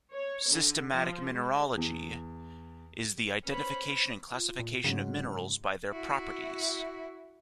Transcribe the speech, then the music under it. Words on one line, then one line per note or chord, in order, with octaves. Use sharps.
Systematic mineralogy is the identification and classification of minerals by their properties.
C#5
D3
F3
G#3
E2
C#4 B4 C5 B5
F4
A#2
G#2 C#3 F#3 C#4
E4 F#4